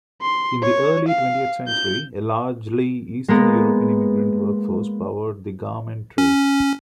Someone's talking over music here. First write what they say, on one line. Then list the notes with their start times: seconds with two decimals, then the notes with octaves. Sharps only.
In the early twentieth-century a largely Eastern European immigrant workforce powered the garment trades.
0.22 C6
0.62 C#5
1.08 F5
1.68 G6
3.28 G#3 A#3 B3
6.18 C#4